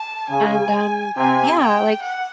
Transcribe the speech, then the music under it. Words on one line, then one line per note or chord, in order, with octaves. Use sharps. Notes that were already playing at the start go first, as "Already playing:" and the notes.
and, um, yeah, like,
Already playing: A5
C#3 G#5
C3 G#5
G5
F#5